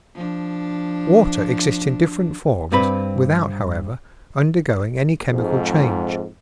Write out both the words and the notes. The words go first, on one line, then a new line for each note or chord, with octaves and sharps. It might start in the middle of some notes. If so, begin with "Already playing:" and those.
Water exists in different forms without, however, undergoing any chemical change.
F3 D4
G2 C4 B4 B5
F2 G#2